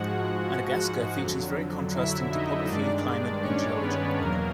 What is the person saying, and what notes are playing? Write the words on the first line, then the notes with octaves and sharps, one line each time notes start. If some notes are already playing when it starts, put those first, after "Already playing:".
Madagascar features very contrasting topography, climate, and geology.
Already playing: G#2 F3 G#3 F#4 F#5
F2 D3 F#3
E4 E5
D#4 D#5
G2 D#3 G#3 D4 D5
C#4 C#5
B3 B4
E2 B2 F#3 A#3 A#4